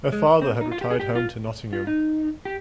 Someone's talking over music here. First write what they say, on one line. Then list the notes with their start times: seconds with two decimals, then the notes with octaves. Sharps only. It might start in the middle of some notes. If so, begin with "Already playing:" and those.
Her father had retired home to Nottingham.
0.12 G#3
0.42 C4
0.61 D#4
0.72 F4
0.81 G4
0.91 G#4
1.00 G4
1.15 F4
1.73 F4
1.87 D#4
2.45 G4